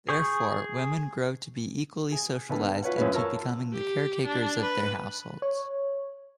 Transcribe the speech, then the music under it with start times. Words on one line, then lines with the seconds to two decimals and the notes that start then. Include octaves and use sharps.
Therefore, women grow to be equally socialised into becoming the caretakers of their households.
0.09 G#4 C#6 G6
2.11 G#4 G#5
2.49 B1 D3 B4 A5
2.82 F4 B4 C#5 F#5
2.97 F#2 E3 C#4 F4 G#4 B4
3.12 F4 A#4 C#5 A5 E6
3.73 G4
4.26 D4
4.62 B4
5.42 C#5